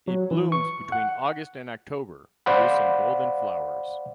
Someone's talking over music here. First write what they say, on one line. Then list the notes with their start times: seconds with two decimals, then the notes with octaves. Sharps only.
It blooms between August and October producing golden flowers.
0.08 F#3
0.31 E3
0.52 C#6
0.92 F#5
2.46 C5 D5 F5 F#5 B5